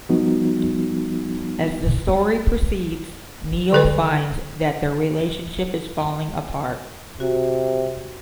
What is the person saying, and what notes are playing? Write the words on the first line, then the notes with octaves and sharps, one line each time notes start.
As the story proceeds, Neil finds that their relationship is falling apart.
F3 G3 B3 D#4 F#4
D3 A4 B4
C3 F#4